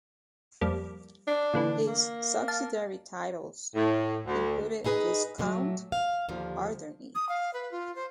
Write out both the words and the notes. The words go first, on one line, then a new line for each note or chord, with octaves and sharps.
His subsidiary titles included Viscount Alderney.
F2 G3 A#3
D4
A#2 D3 E3
A#3
F5 A5
A2
D2
D#4 E4 G#4 B4 D#5
A#2 D3 F3 F#3 A3
F5
D#2 D3 F3
D#6
F5
B4
F4
C5